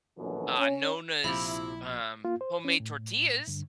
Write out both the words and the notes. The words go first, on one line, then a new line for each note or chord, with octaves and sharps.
uh, Nona's, um, homemade tortillas.
A#1 F#2 B2 D3 E3 F#3
C#4
A#1 C3 F3 E4 B5 F7
A#3 F4
C5
C#4
A2
G2 D3